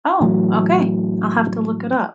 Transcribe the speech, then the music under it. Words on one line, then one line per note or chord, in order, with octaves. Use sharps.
Oh, okay, I'll have to look it up.
A2 E3 F#3